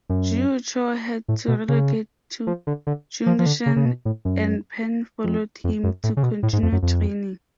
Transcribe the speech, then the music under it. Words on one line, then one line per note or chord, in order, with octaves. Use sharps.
Jiu Chow had to relocate to Chungshan, and Pan followed him to continue training.
F#2
A2
B2
C#3
F3
D3
D3
F3
F3
D3
C#3
C#3
B2
A2
F#2
F2
F2
F#2
A2
C#3
B2
A2
G#2
F2
F#2
F2